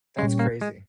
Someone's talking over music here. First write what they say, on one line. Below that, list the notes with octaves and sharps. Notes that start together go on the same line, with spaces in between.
That's crazy.
A#2 G3 G#3 C#4
A#3
G#3